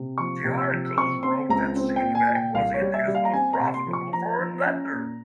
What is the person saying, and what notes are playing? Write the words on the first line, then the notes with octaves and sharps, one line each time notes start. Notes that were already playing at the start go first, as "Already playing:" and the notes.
The articles wrote that Citibank was "India's most profitable foreign lender".
Already playing: C3
F3 C#6
C3
E6
F3
C4 C#6
C4 C6
C#2 A#5
C4
G5
A#2
G#5
A#2
G5
C2 F5
C#5
G3
E5
G3
F5
A#5
C4 G#5
A#5
C3
C6
F3
C#6
F3 A#5
F3
C#4
A#2